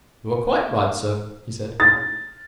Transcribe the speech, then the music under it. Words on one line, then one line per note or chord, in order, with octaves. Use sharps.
"You are quite right, sir," he said.
A6